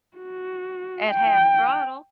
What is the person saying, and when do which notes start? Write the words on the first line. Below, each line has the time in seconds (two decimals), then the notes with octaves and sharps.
At half throttle.
0.17 F#4
1.10 G5